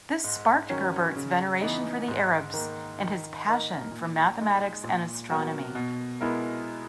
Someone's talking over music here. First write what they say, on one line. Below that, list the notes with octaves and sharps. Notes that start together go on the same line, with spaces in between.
This sparked Gerbert's veneration for the Arabs and his passion for mathematics and astronomy.
G#2
D#3 F#3 C#4
C#3
E3 B3 D#4
G#2
D#3 A#3
D#3
A#3 D#4 A#4
A#2
G#3 D#4
A#2
F#3 B3 F#4 A#4
B2
G#3 B3 E4 A#4